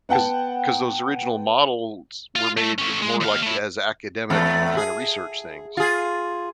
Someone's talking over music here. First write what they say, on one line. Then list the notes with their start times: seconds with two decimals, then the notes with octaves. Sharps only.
'cause 'cause those original models were made more like as academic kind of research things.
0.09 B3 F#5 G5 A5
2.36 F4 F5
2.57 A3
2.79 A3 C#4
3.02 G#3
3.21 D#2 F5
3.43 A3 E4
4.30 E2 A3
4.77 G#4
5.77 F4 G#4